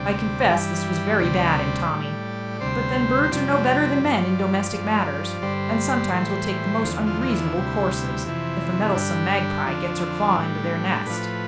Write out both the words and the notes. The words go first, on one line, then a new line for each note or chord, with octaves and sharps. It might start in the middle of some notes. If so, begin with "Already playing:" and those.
I confess this was very bad in Tommy; but then birds are no better than men in domestic matters, and sometimes will take the most unreasonable courses, if a meddlesome Magpie gets her claw into their nest.
Already playing: D2 C3 G3 D5
G2 E3 G3
D2 C3 G3 D5
A2 G3
D2 C3 G3 C5
C5
F2 C3 G3 D5
G2 F3
G2 F3
G2 D3 G3 C5
A2 E3 G3
E2 D3 F3
F4
F4
E4
D2 C3 G3
F2 C3 E3
G2 D3 G3 D4
F2 D3 F3
A2 G3
A2 F3 B4